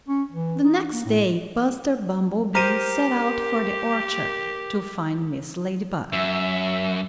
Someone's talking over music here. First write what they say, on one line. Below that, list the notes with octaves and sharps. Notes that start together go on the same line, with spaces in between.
THE next day Buster Bumblebee set out for the orchard to find Mrs. Ladybug.
C#4
E3
D#4
A#3
A2
G4 A#4 C5 D#7
F#2 E5